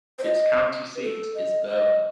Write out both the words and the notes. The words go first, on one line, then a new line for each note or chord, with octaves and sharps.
Its county seat is Burwell.
C5
D#5
B4
A4
D#5
D#5